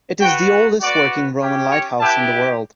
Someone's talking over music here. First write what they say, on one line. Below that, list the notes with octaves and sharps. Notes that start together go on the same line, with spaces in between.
It is the oldest working Roman lighthouse in the world.
B3 F#4 G5
B3 F#4 D5
C#4 G4
C#5
B3 E4 G4 A5